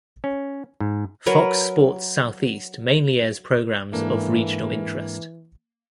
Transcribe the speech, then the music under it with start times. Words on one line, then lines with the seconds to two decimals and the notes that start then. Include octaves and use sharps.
Fox Sports Southeast mainly airs programs of regional interest.
0.24 C#4
0.80 G#2
1.26 F#3 A#4 B4
3.93 G#2 E3 A#3 D4 A4